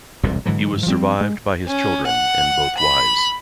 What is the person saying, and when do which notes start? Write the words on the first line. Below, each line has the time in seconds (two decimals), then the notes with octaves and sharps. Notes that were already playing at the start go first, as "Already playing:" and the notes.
He was survived by his children and both wives.
0.23 E1 C2 F#2 A#2
0.46 G#2 D3 E3 F#3
0.86 F3 G3 C4
1.21 G#3
1.68 C#4
2.07 F#5
2.78 B5